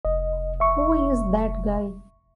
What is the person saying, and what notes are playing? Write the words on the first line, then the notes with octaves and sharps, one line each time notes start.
Who is that guy?
F1 D#5
E5 C#6